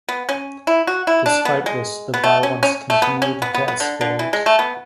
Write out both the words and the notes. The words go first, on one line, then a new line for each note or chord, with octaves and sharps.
Despite this, the violence continued to escalate.
B3
C#4
E4
F#4
E4
D4
B3
G#3
B3
A3
C#4
C#4
A3
B3
C#4
B3
B3
B3
D3
D3
E3
G#3
A3
B3